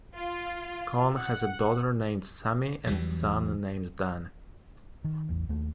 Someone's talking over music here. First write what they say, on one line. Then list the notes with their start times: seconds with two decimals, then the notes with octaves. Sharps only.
Cohn has a daughter named Sammy and a son named Dan.
0.15 F4
1.16 F#5
2.87 E2 E3 F#3 G3
5.04 D#3
5.29 A1 E2
5.49 D#2 A3